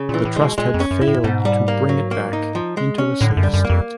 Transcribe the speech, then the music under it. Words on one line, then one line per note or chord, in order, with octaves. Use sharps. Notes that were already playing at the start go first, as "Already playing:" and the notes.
The trust had failed to bring it back into a safe state.
Already playing: C#3
A#2 E3
A2
G#3
B2
A#2 G#3
F2
C#4
F#2
E4
A2
G#2 B2
G3
A#3
F#3
A#3
D#4
F3
G#3
C#4
A2 D3
F#2
G3
F#2
F2 A#3